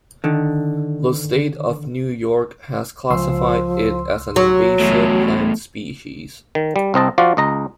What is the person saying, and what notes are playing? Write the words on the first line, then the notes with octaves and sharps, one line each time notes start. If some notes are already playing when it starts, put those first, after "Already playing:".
The State of New York has classified it as an invasive plant species.
D3 D#3
C#2 F3 C6 E6
F#3 F#4
E2 A2
D#3
G3
C2 C4 D#5 A5
F3 F4 F#4 D5
C#2 D#5 A#5